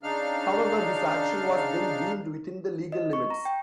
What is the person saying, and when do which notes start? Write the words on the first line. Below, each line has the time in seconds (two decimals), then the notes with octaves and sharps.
However his action was then deemed within the legal limits.
0.03 C#3 D4 D#4 F5 F6
2.92 D#5
3.13 C#6
3.30 A#5
3.45 G5